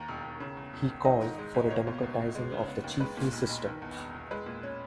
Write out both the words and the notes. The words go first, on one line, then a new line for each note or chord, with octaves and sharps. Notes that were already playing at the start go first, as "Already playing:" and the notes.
He called for a democratizing of the chiefly system.
Already playing: D#2 D#3 A#5
E1
E1
C#3
E2
E1
E1
D#3 D#5
G#2
G#3
G#1
A#3 C#5
B2
C#2
C#2
G#3
C#3
B3
D#2
G#3 B4
A#2
B1
B1
D#3
E2
E1
E1
G#3 B4
A#2
C#4